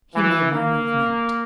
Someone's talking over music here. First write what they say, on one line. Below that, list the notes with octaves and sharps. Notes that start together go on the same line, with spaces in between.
He made no movement.
E3
A#3